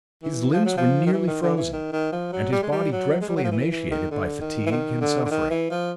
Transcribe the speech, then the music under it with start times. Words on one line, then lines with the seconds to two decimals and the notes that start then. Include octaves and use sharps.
His limbs were nearly frozen, and his body dreadfully emaciated by fatigue and suffering.
0.23 E3
0.53 F3
0.65 F#3
0.77 F3
1.06 D#3
1.13 E3
1.27 D#3
1.42 D3
1.57 E3
1.73 D#3
1.92 D#3
2.12 F3
2.32 F#3
2.52 G3
2.63 G#3
2.72 G3
2.92 F#3
3.21 G#3
3.28 G3
3.36 F#3
3.44 F3
3.51 E3
3.71 E3
3.91 D#3
4.11 D3
4.41 D#3
4.66 E3
4.71 D#3
5.01 D3
5.26 D3
5.31 D#3
5.50 E3
5.70 F3